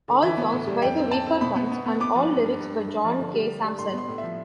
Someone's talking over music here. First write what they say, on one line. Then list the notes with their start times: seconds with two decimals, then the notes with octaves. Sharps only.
All songs by The Weakerthans and all lyrics by John K. Samson.
0.08 D3
0.22 E3 E5
0.37 B3
0.52 A2
0.67 G3
0.82 F2 G5
0.97 C4
1.11 C4 A5
1.27 C4
1.41 B2 B5
1.56 B3
1.71 B3
1.86 B3
2.00 B3 D6
2.15 F3
2.30 G2
2.45 G2
2.60 G2
2.75 G2
2.89 G2
3.05 F3
3.19 D3
3.34 G3
3.49 G3
3.64 G3
3.79 A2 C6
3.93 B3 C6
4.08 A2
4.18 E5
4.23 F3